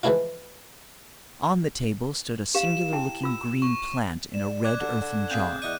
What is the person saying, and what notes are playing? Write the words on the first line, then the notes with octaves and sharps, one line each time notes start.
On the table stood a singular-looking green plant in a red earthen jar.
E3 F3 G#3 A3 E4 F4
G4 F5 E7
E4 G5 A5
F4 E6
C#6
D5 E7
D6 F#6 G#6
D3
D3
C4 G#4 F5 G6
E2 D5 D#5 C#6 F#6 D#7